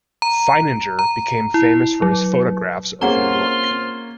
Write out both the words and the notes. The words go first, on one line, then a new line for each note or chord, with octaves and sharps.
Feininger became famous for his photographs of New York.
A#5
A#5
E4
F#3
A#3 C4 C#4 F4 G#4 C5 F#5 A#5